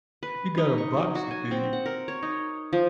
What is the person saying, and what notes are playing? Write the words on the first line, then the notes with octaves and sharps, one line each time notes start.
You got a boxy thing.
B4
D#4
C#6
F#3
F#4
G#5
C4
F#5
A#4
C#5
D#4
F3